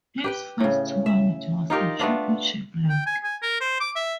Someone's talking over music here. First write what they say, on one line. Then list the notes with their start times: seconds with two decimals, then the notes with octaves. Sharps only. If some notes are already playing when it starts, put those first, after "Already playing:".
His first tournament was the Championship League.
0.24 G4 B4 G5
0.60 A2 C#3
1.06 E5
1.70 D#4 F4 G4 A#4
1.99 A3 B3 D4 F4
2.89 G5
3.06 G#5
3.24 G#5
3.42 A#4
3.61 C5
3.80 D6
3.96 E5